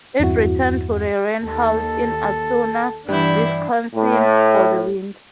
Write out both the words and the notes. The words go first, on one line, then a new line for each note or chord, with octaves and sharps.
It returned to the roundhouse in Altoona, Wisconsin, for the winter.
E2 G2 C4 E4 F#4
D#2 A4
G2 E3 B3 D4 E4 G6
A2